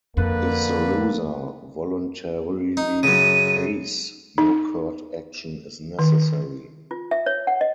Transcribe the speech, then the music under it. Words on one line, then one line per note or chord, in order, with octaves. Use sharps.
If the loser voluntarily pays, no court action is necessary.
F2 D3 A#3 B4
D#4
F#2 C#3 D#7
D#4
D#3
F4
E5
C#5
F#5
D#5